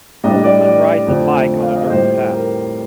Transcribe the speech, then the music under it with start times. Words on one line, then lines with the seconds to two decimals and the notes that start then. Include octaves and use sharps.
A woman rides a bike on a dirt path.
0.23 A2 G3 D4 D#5
0.44 D5
0.66 D5
1.07 F2 D3 F3 A3
1.63 F5
1.76 D#5
1.90 A2 G3 C4 C5
2.32 A#4